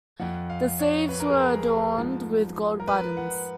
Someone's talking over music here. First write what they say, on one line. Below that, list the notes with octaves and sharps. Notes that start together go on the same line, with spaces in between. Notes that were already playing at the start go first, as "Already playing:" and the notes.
The sleeves were adorned with gold buttons.
F2 F3 F#5
F5
C#5
B4
A#4
G#4
A#4
G#2 F3
A#4
B4
F#5